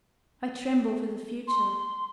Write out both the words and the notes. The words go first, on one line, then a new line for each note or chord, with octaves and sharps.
I tremble for the future.
C6